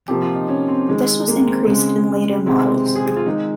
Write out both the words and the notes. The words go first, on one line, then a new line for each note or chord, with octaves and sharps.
This was increased in later models.
C3 F3 A#3 G4
F4
D#4
C#4
C4
D#3 G#3
A#3
C4
C#3 G#3
C3 D#3 G#3 C4
C4
G#4
G#4
F4
D#3 G#3 D#4